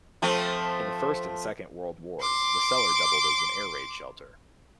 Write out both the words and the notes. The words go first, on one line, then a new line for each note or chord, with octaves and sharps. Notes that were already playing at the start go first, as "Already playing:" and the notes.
In the First and Second World Wars the cellar doubled as an air-raid shelter.
F3 A3 C4
C6 D6